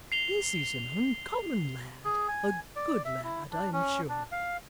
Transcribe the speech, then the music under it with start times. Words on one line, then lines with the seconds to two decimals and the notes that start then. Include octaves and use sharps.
'This is an uncommon lad; a good lad, I'm sure.'
0.12 C7 F7 G7
2.05 G#4
2.28 G#5
2.76 D5
3.05 E5
3.23 E4
3.52 D4
3.73 C#4
4.09 D4
4.32 F5